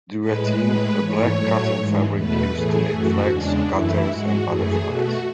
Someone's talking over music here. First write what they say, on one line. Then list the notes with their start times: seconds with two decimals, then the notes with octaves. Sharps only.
Duvetyne - A black, cotton fabric used to make flags, cutters and butterflies.
0.20 A2 G#3 B4
0.58 A2 G#3 B4
0.96 G#2 E3 A3 C#5
1.36 A2 F#3 A3
1.74 G#2 E3 G#3
2.12 E2 B2 A3 B4
2.50 A2 E3 A3 G#4
2.89 F#2 E3 A3 F#4
3.28 E2 C#3 G#3 D4
3.66 F#2 E3 A3 E4
4.05 G#2 G#3 F#4
4.43 F#2 E3 A3 G#4
4.81 B2 A3 F#4